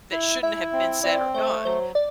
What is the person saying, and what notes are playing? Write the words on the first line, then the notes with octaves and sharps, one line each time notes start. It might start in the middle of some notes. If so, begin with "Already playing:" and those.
that shouldn't have been said or done,
E4
E4 E5
C4
C4 D5
A3 C5
F#3 C5
D5